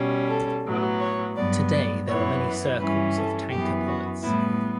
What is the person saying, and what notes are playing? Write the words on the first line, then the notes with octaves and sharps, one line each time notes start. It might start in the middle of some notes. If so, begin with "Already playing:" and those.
Today there are many circles of tanka poets.
Already playing: B2 G3 C#4
A4
A2 F#3 B3
C#5
G2 F#3 B3 D5
D5
F#2 E3 B3 C#5
G2 E3 G3 C#4 B4
A4
F#2 E3 B3 G4
F#4
A2 G3 B3 E4